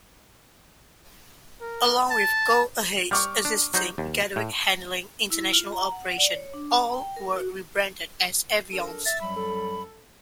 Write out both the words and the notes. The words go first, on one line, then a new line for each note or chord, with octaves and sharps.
Along with Go-Ahead's existing Gatwick Handling International operation, all were rebranded as Aviance.
A#4
A5
G3 C#6 D6 F6
D4
F#3 D#4 C5
D#2
A2
E4
F4
A#5
F#5
D5
C#5
D4
A#5
G5
A#4
F#4
D4 A4 A#4
E5 A6
F#2 F#3 G3 B5
A4